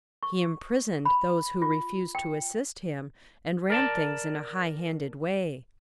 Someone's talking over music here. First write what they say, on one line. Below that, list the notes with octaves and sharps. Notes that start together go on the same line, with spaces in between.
He imprisoned those who refused to assist him and ran things in a high-handed way.
C#6
B5
F4
G5
A#4 D5 A5